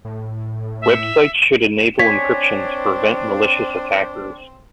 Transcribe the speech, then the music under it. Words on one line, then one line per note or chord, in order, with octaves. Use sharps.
Websites should enable encryption to prevent malicious attackers.
A2
E5
C4 D4 C5 C#5 G#5 B6